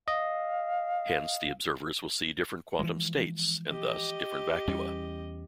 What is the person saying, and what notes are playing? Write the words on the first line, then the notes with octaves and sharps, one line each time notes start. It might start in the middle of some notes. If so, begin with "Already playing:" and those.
Hence, the observers will see different quantum states and thus different vacua.
D#5 F5
E3 F3 G#3
G4 D#5
E2 G3 C#4